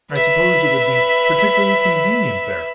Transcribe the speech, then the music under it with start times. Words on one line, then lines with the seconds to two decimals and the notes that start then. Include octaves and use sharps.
I supposed it would be particularly convenient there.
0.12 B4 E5